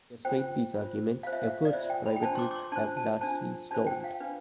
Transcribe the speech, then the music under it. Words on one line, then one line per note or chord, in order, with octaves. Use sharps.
Despite these arguments, efforts to privatize have largely stalled.
F4 C5 G5
F4 C5
F4 C5 F5
E5
F5
D5
F4 C5 E5
G5
B5
G5
D4 F4 C5 A5
C6
D6
D6
C6
D4 F4 C5 A5
A5
D4 F4 C5 A5
D4 F4 C5 A5
G5
F5
D4 F4 B4